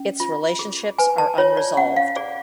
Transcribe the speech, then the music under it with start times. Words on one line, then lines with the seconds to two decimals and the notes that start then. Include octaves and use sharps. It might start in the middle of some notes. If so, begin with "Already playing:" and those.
Its relationships are unresolved.
Already playing: C#4
0.20 F4
0.59 G#4
0.98 B4 G#5
1.18 A5
1.38 F4 C#5
1.57 D5
1.77 C#4 F#5
1.96 F5
2.16 G#4 D5